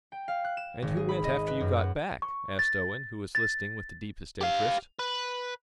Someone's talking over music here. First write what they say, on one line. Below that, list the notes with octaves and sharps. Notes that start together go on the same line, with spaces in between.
"And who went after you got back?" asked Owen, who was listening with the deepest interest.
G5
F5
F#6
E7
G#1
G#4
B5
D#5
B4
F#2
F#5
C#6
A6
A6
G4 F5
B4